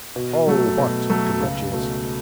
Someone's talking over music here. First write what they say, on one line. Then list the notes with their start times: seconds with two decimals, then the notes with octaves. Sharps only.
Oh, what grudges!
0.16 B2
0.47 F#3 A3
0.78 B2
1.10 F#3 A3
1.40 C#2
1.72 B2 A3